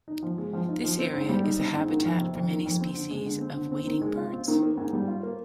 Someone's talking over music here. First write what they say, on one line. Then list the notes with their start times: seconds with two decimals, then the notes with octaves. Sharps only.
This area is a habitat for many species of wading birds.
0.08 D#4
0.23 F3
0.38 G#3
0.53 F3
0.69 D#4
0.84 F3
0.99 C4
1.13 G#2
1.29 G3
1.44 D#4
1.59 C4
1.74 G#2
1.89 D#3
2.05 F2
2.20 C3
2.35 F2
2.51 D#3
2.66 F2
2.81 C4
2.95 D3
3.11 G#3
3.26 D3
3.41 C4
3.57 D3
3.72 C4
3.87 D#3
4.02 G#3
4.18 F4
4.33 C4
4.48 D#3
4.63 A#3
4.77 G#2
4.93 G3
5.08 F4
5.23 A#3